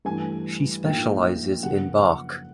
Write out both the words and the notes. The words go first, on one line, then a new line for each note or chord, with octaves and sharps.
She specialises in Bach.
G2 E3 A3 G#5
A#1 G#2 F3 A#3 G5
F#2 C#3 F3 F#5